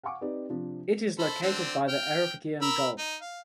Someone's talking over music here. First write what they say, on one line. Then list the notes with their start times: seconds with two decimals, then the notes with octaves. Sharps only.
It is located by the Ambracian Gulf.
0.03 F5 F#5 G#5 C#6 D6
0.21 C4 D#4 G4 B4 D5
0.49 C3 F3 D4
1.19 A4 C5 B5
1.42 D3 C4 D4
1.89 G5 F6
2.62 A#4 B5 E6
2.98 D#4
3.21 F5